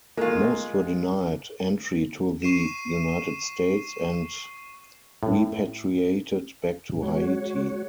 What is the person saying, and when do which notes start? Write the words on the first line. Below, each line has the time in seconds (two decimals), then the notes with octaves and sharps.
Most were denied entry to the United States and repatriated back to Haiti.
0.17 G#3 A#3 F4
2.42 C#6 C7 D#7 E7
5.23 A2
7.02 G#3 F#4 C#5